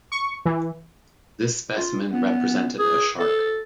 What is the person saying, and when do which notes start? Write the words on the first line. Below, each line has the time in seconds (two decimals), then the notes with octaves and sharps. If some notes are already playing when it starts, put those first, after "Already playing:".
This specimen represented a shark.
0.12 C#6
0.45 E3
1.77 F4
2.12 B3
2.79 G#4
3.19 A4